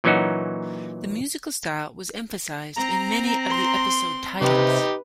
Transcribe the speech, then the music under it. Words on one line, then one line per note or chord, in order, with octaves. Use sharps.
The musical style was emphasized in many of the episode titles.
A#2 E3 F#3 C#4 D#4 F#4
C4 A#5
C6
C3 D#4 G4 B4